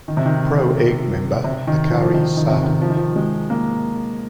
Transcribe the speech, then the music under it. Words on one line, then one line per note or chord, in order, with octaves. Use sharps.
Pro Egg member Akari Saho.
D#3
C3
D#3
C3
D#3
F3
F3
D#3
D#3
C3
D#3
F3
D#3
F3
G#3
A#3